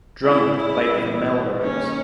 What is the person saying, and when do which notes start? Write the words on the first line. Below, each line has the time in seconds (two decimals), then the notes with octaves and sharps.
Drummond played for Melrose.
0.23 C#3 G#3 C#4 E4 G#4
0.58 E4
0.92 E3 G3 B3 G4 B4
1.62 D#3 A#3 C#4 D#4 A#4